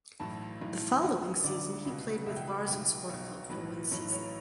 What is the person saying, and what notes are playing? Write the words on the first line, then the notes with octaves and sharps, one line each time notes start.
The following season he played with Varzim Sport Club for one season.
B1 A2 E3 A5
B1 A2 E3
D2 D3
D2 D3 D5
C#2 B2
C#2 B2 E5
G5
B5
B5
B1 B2 G5
B1 B2 C#5
B1 A2 E3 B4
B1 A2 E3 C#5
C#5